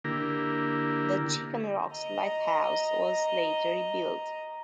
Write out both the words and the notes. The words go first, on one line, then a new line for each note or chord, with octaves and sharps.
The Chicken Rocks lighthouse was later rebuilt.
D3 A#3 E4 G4 A#4
D#5 A#5